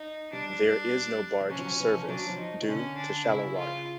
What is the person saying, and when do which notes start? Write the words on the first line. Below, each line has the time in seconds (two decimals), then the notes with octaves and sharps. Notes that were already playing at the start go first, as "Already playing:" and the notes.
There is no barge service due to shallow water.
Already playing: D#4
0.32 G3 D4
1.40 F3
1.50 F#3 C#4
1.59 F3
1.65 F#3
1.80 E3
1.94 F3
2.08 F#3 D4
2.29 F3
2.38 D#4
2.62 D#3
2.67 D3 C#4
2.97 D4
3.26 C#3 E4
3.56 F4